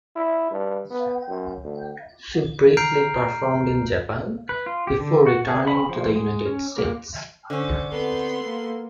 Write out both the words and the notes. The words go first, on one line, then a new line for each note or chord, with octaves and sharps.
She briefly performed in Japan before returning to the United States.
E4
G2
B3
F#2
D2
A#5 F6 G6 C7 D7
B4
F4
G4
D3
F#4
G#4
B5
F3
G#3
C#4
A#3
D3 C#4 C5
B3 C4 A4 C6
A#3